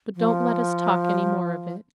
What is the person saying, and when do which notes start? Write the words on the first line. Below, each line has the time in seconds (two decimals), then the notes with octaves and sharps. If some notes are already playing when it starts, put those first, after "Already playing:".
"But don't let us talk any more of it."
0.16 F3